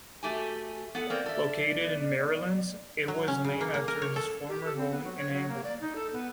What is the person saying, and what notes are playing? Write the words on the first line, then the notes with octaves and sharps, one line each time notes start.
Located in Merrylands, it was named after his former home in England.
A3 F#4 G4 G#5
B3 A4 F#5
A#3 C4 D5
A4 E5
B3
F#3
C#4
C#3
A#3
A#3
A#4
C#5
A4
G4
A4
C4
B3
F#3
C#5
F#3
A#3
D5
D#4
A4
B3